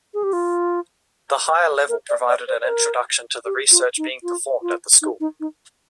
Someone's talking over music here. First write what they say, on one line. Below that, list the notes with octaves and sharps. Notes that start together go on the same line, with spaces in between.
The higher level provided an introduction to the research being performed at the school.
G#4
G4
F4
A#4
D5
D5
C5
C5
A#4
G4
F4
D#4
F4
F4
D#4
D#4
D#4